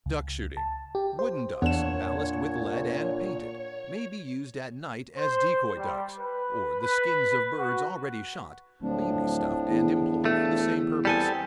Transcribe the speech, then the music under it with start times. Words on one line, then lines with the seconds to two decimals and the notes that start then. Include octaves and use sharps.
Duck-shooting.--Wooden ducks, ballasted with lead, and painted, may be used at night as decoy-ducks; or the skins of birds already shot, may be stuffed and employed for the same purpose.
0.06 C#2
0.57 A5
0.95 G4
1.19 C5
1.62 E2 A#2 D4 C#5 F#5 E7
5.16 C5
5.76 G3
6.19 B4
6.81 B4
7.59 F#4
8.82 D1 A2 F3 D4
9.70 E2
10.25 A3
11.05 G3 B3 C4 A4 G#5